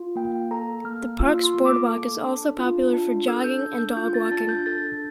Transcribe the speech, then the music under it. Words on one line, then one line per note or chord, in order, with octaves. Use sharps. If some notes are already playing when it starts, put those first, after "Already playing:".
The park's boardwalk is also popular for jogging and dog walking.
Already playing: F4
A#3 G5
A4 A#5
A#3 F6
F4 E6
C6
A#3
D6
A4
D4
F4
D4
A4 E6
G6
D4
G6
F4 G6
A6
D4 A6
G6
A4 A6